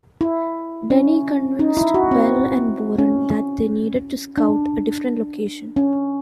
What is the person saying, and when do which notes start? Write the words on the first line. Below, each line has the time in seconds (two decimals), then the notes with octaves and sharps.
Denny convinced Bell and Boren that they needed to scout a different location.
0.21 E4
0.90 C#4
1.59 D#4
1.77 E4
1.94 F#4
2.11 C4
2.99 C#4
4.38 D4
5.76 C#4